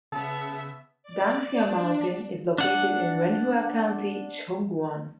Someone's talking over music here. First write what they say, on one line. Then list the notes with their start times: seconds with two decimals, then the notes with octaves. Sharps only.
Danxia Mountain is located in Renhua County, Shaoguan.
0.12 C#3 B3 E5 A5
1.03 D5
1.59 D4
2.58 D4 F#5